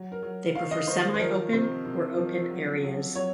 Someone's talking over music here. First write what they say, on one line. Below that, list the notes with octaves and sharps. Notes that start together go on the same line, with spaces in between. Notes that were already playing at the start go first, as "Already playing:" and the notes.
They prefer semi-open or open areas.
Already playing: F#3
A#4
F#3
D#3 F5
D#5
D#3 C5
C5
F3 A#4
C3 C5
C3
F3
F#3
F#3
F#3 C#5